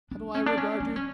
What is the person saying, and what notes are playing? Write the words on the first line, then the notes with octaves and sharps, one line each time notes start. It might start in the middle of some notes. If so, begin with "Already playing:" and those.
How do I regard you?
D4
C#4
D4
C#4
D4
C#4